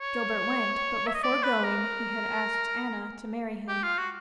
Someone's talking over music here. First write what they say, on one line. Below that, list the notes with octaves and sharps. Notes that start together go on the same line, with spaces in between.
Gilbert went, but before going he had asked Anna to marry him.
C#5
E5
D#5
D5
B4
A#4
G4
F4
F#4